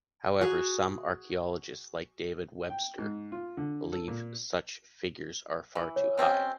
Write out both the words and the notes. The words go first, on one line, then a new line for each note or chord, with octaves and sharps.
However, some archeologists like David Webster, believe such figures are far too high.
F#4 G#4 G#5 A#5
G5
G#2
F4
D3
A4
A#2
E3
C#5
B2 C4 C#4